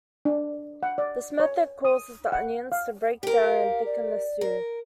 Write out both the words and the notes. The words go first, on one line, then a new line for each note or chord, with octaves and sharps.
This method causes the onions to break down and thicken the stew.
D4
F#5
D5
C#5
D#6
F#5
F5
G4 A#4
F5
D5
A#4